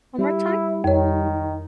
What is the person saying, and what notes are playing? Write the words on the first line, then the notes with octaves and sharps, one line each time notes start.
One more time?
G3 E4
F2 D#3 C#5